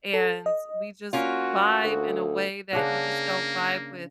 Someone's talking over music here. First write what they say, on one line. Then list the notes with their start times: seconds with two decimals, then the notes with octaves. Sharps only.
and we just vibe in a way that you just don't vibe with
0.14 A4
0.46 D#5
1.13 A#3 C#4 F4 F#4
1.84 D2
2.73 C#3 A#3 D4 F#5